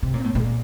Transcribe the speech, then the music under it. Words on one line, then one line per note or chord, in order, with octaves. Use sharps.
And th
C3
A#2
A2
A#2